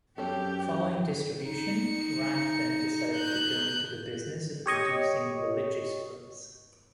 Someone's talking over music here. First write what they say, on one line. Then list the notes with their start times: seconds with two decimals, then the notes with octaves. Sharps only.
Following distribution, Rank then decided to go into the business of producing religious films.
0.18 F#2 C4 C#4 G4 A4
1.45 D#4 C#7
3.15 F#6 G6
4.66 G4 C#5 D#5 C#6